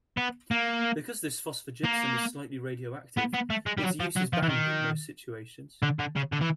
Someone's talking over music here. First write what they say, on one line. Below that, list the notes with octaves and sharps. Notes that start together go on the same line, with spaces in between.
Because this phosphogypsum is slightly radioactive, its use is banned in most situations.
B3
A#3
A#3
B3
B3
A3
G#3
G3
F#3
F3
F#3
F3
E3
D#3
D3
D3
C#3
D3
E3